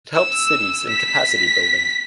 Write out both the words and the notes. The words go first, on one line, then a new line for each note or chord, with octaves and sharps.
It helps cities in capacity building.
E6
B6